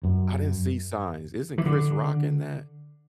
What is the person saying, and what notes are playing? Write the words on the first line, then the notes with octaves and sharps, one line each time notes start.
I didn't see signs, isn't Chris Rock in that?
F#2
E3
D3